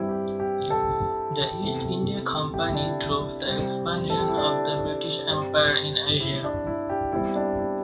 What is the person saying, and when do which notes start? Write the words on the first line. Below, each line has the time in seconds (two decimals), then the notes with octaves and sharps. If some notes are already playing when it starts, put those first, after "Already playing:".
The East India Company drove the expansion of the British Empire in Asia.
Already playing: G2 E3 G3 C4 E4
0.09 G4
0.40 G4
0.70 A4
1.62 E2 C3 E3 A3
2.54 G4
2.64 E4
2.75 D4
2.85 E4
3.45 C3 G3 C4
4.10 A4
4.19 G4
4.28 E4
4.37 D4
5.29 G2 G3 C4
6.21 E4
6.44 D4
6.67 E4
6.90 G4
7.12 E2 E3 G3 C4 E4
7.36 D4
7.59 E4